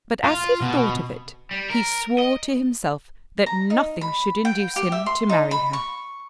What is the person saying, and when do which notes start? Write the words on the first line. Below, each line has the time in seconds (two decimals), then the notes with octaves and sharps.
But as he thought of it, he swore to himself that nothing should induce him to marry her.
0.24 F4
0.61 B2
1.51 G3
1.70 A#4
2.18 D#5
3.46 A#5
3.70 D#4
4.01 B5
4.45 G5
4.76 G4
4.92 E5
5.06 C6
5.29 D#4
5.51 B5
5.73 C#6